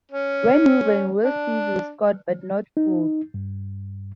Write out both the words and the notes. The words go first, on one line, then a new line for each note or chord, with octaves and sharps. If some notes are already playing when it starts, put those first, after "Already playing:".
When woven, worsteds were scoured but not fulled.
C#4
D4
D#4
G2